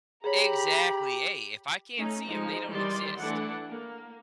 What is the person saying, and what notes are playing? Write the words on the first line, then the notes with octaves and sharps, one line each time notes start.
exactly! Hey, if I can't see 'em, they don't exist.
G4 G#4 C#5 A#5 B5
A3 C#4 D#4
F3 G#3 D#4
D#3 E3 G3 D5 C6
E3 A3 D4 F#5
A#3